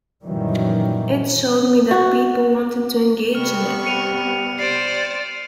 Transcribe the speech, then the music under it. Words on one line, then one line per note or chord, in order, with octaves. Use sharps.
It showed me that people wanted to engage in it.
F#2 A#2 D#3 E3 F#3 G3
F#4
C3 G3 B3 C#6 F6
C#7 D#7 F7
C5 D5 C7 D7